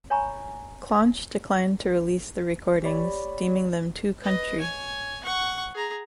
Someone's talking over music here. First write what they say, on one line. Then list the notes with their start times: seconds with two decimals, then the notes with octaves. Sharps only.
Claunch declined to release the recordings, deeming them too country.
0.10 C#5 G#5 A#5 B5 C#6
2.83 G4 C#5 D5 B5
4.21 B4 D#5
4.59 C#5 G#5
5.23 F#5 C#6
5.74 G#4 A#5